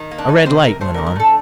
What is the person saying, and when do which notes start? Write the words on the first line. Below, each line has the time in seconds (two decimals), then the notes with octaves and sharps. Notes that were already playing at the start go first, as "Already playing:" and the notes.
A red light went on.
Already playing: D#3
0.11 A#3
0.18 D4
0.28 A#3 D#4
0.45 C3 C5
0.64 C3 A#4
0.81 A3 C5
0.94 A#4
0.98 D3
1.06 A#4
1.16 A3 A4